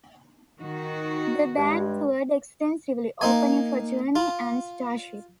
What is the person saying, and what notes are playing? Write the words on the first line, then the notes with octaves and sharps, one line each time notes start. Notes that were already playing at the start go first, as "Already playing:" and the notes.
The band toured extensively, opening for Journey and Starship.
D#3 F#4
G2 G#3
A#3 D#4 G#5
F4